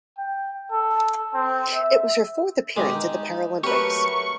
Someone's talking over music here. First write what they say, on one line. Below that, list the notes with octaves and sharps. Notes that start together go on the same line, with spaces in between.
It was her fourth appearance at the Paralympics.
G5
A4
C4
E5
B2 D#3 G#3 G4
D#4
F#3 A3 G4 A#4 B4 C#6